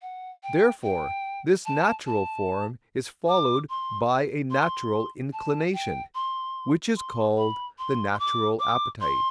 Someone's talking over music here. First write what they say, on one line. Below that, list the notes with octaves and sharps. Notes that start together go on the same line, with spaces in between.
Therefore this natural form is followed by a natural inclination, which is called the natural appetite.
F#5
G5
G5
A5
A5
D6
C6
C6
A5
G5
C6
C6
B5
C6
C6
D6
D6
C6